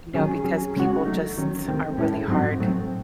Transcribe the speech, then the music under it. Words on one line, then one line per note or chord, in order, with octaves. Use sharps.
you know, because people just are really hard,
D#3 F#3 C#4 G#4
F#3 C#4 G#4
C#3 G#3 C#4 F#4
F#3 A3 D#4
D#3 F#3 C#4
C2 C3 D#3 A3 C4
A2 G#3 C#4 E4 A4
G#2 F#3 C4 D#4 F#4
A2 F#3 A3 C4